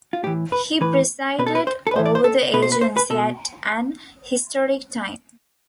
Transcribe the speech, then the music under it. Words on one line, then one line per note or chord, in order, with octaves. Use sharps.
He presided over the agency at an historic time.
F4
A2 E3 G4
B4
A2 E3 B4
B2 B4
A4
B4
C5
A4
B4
A2 E3 C5
D5
C5
A4
B2 B4
C5
B4
C5
B4
B2 A4